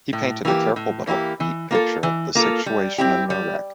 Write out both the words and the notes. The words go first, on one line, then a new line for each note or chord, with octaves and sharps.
He painted a careful but upbeat picture of the situation in Iraq.
A2
E3 A#3 E4 G4
A2
E3 A#3 E4 G4
E3
A#3 F4 A4
E3
A#3 F4 A4
G3
C4 E4 G4
G3